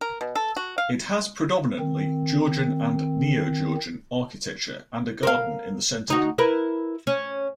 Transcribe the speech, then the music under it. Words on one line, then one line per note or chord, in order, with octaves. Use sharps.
It has predominantly Georgian and Neo-Georgian architecture and a garden in the centre.
A#4
B2
A4
F#4
F5
D#3 C4
A#4 C5 F5
D2 D#4 F#4
E4 A#4 B4
C#4